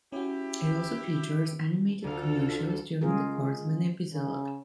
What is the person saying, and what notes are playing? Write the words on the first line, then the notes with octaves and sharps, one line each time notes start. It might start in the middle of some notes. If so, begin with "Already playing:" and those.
It also features animated commercials during the course of an episode.
C#4 E4 F#4 G4
D2 F4 A4 F5
C#3 G#3 C#4 F4 G#4 A#4
C#3